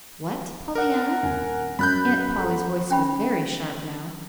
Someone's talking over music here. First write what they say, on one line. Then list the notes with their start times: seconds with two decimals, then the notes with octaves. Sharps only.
"WHAT, Pollyanna?" Aunt Polly's voice was very sharp now.
0.75 A#4 F#5
1.23 D#1 G#5
1.79 F#2 C#4 B5 F#6 G6 A6
2.36 A4 F#5 A#5
2.90 C#4 G5 B5